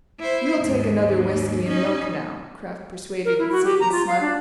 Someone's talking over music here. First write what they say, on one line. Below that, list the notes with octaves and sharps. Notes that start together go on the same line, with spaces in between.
"You'll take another whiskey and milk now," Kraft persuaded, with Satan's smile.
E4 C5
D#2 G#2
C#4 D#4
A#4
E4
F#4
G4
A#5
F4
F5
D4